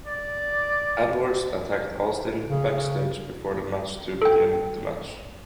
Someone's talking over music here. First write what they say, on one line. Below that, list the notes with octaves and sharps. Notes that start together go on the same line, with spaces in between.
Edwards attacked Austin backstage before the match to begin the match.
D5
C#3
A4 G5